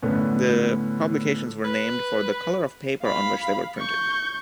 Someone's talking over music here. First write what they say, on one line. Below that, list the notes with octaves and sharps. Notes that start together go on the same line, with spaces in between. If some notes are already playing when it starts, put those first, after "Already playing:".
The publications were named for the color of paper on which they were printed.
A2 D3 B3 C#4
B4
F5 B5
C#6 G6